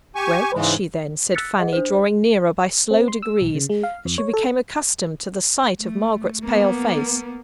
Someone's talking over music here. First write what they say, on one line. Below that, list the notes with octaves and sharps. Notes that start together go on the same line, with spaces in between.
'Where was she, then?' said Fanny, drawing nearer by slow degrees, as she became accustomed to the sight of Margaret's pale face.
G4 G#5 C#6
G#2 C#3 E3 G#3
E6 F#6 A6 B6 C#7
G#4 D#5 F#5
D4 C5
C4
C6
E6
B1
C#3
G#3
F5
F2
C#5
A4
A3
A#3 B3